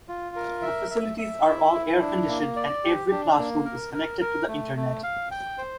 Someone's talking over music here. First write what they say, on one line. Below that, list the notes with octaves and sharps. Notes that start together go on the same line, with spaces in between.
The facilities are all air-conditioned and every classroom is connected to the Internet.
F4
A#4
E5
E5
E5
E4
E4
D4
A#3
D5
G4
D4
A#3
A#4
A#4
A#4
A3
A3
F5
G5
C5